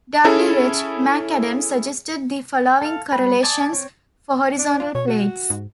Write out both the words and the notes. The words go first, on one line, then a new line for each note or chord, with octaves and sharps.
W. H. McAdams suggested the following correlations for horizontal plates.
C#4 E4 G#4 A4
A4 F5
G3 B4
D5 G#5 A5 D6 D#6
C4 C#5
D4
F4
B2 C#5
F#4
G#2